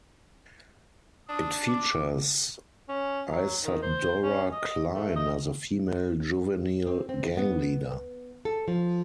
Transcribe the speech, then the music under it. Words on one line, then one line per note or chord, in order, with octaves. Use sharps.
It features Isadora Klein as a female juvenile gang leader.
D4 D#6
D6
C#4
F#3
D#3
C5
C#4
D#5
A3
D#5
C4
C4
B3
A4
F3